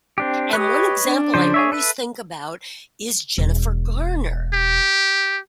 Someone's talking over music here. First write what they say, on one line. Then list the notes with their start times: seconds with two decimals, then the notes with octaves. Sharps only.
And one example I always think about is Jennifer Garner.
0.18 C4 D4 G4
0.53 G4 B4 C#5 D#5
1.06 D4
1.34 C#3 F3 C5
1.54 G#4 C#5 E5
1.72 A4 B4 E5
3.38 E1
4.53 G4